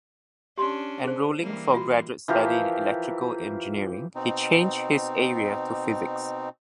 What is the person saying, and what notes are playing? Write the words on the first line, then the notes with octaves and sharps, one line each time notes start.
Enrolling for graduate study in electrical engineering, he changed his area to physics.
C#4 D4 G4 C6
G#4 C5
E3 G3 A#3
F4 F#4
E3 F3 G4 A#4
B2 C4 D#4